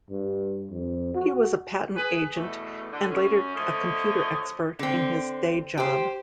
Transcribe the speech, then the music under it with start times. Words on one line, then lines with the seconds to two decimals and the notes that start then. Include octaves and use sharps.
He was a patent agent, and later a computer expert, in his day job.
0.10 G2
0.71 F2
1.14 F#4
1.96 G#4 B4
2.35 E2 B2 A3
2.92 D3
3.11 F#2 C#4
3.56 D3 F3 A3 C#5 D#5
4.79 D3 C4
5.78 G4 C5